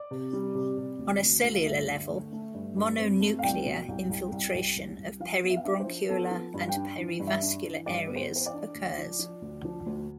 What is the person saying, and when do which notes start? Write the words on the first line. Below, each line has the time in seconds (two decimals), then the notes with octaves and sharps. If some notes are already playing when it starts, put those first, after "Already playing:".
On a cellular level, mononuclear infiltration of peribronchiolar and perivascular areas occurs.
Already playing: D5
0.11 C3
0.33 G3
0.55 C3
0.77 C3
0.99 D2
1.21 D2
1.43 D2
1.54 F5
1.66 G2 E5
1.88 D3
2.10 A3
2.32 A3
2.54 G2
2.77 G2
2.99 C4
3.20 A3
3.39 F5
3.43 C2 G5
3.65 B2
3.88 C2
4.09 C2
4.32 C2
4.54 C2
4.76 C2
4.98 C2
5.20 F3 F5
5.43 B3
5.50 E5
5.57 F5
5.64 D4 E5
5.80 C5
5.86 F3
6.09 B3 A4
6.31 F3
6.54 G2
6.61 F5
6.69 G5
6.76 D4
6.98 E3
7.20 G2
7.27 E5
7.42 D4
7.65 E3
7.86 G2 D5
8.07 B3 B4
8.16 C5
8.31 E3
8.36 C5
8.46 D5
8.54 D4
8.75 D2
8.98 F3
9.19 F3
9.42 D2
9.65 F3
9.86 D2